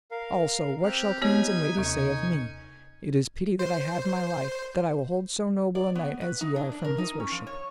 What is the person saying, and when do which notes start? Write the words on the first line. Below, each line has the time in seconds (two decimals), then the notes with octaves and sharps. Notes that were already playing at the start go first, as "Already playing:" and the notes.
Also what shall queens and ladies say of me? It is pity that I have my life, that I will hold so noble a knight as ye are from his worship.
0.11 A#4 F5
0.84 C4 G4 F6 F#6
1.22 B3 D#4 G4 B4 C#5 G#5
1.77 D#2 C3 C#4 G#5
3.59 C5
5.75 D5
5.95 B3
6.21 B4
6.41 D#4
6.56 D4
6.72 D4
6.84 A#4
6.98 D#4
7.20 C#4
7.31 F3
7.47 C#5